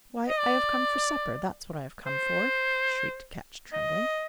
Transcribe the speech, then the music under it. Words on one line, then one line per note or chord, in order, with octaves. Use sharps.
"Why, I have come for supper, that's what I have come for," shrieked Ketch, trembling.
D#5
D5
C5
D#5